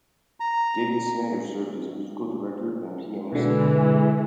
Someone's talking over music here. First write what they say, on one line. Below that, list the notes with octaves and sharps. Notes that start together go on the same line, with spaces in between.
David Snyder served as musical director and pianist.
A#5
B2 D3 E3 G#3